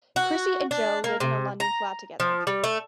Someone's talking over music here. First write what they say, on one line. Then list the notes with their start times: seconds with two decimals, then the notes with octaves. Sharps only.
Chrissy and Jo live in a London flat together.
0.16 F#4
0.71 D4
1.04 A#3
1.20 C3
1.60 A#5
2.20 F3
2.47 G3
2.64 A3